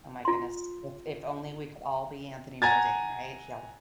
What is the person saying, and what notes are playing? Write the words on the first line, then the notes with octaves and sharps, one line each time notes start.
Oh my goodness, if if only we could all be Anthony Bourdain, right? He'll
F4 C6
F#5 G#5 A#5 G#6 A6